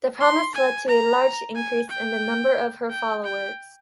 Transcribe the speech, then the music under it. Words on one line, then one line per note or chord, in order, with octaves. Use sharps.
The promise led to a large increase in the number of her followers.
C6
G#5
A#5
G#5
G5
G5
G5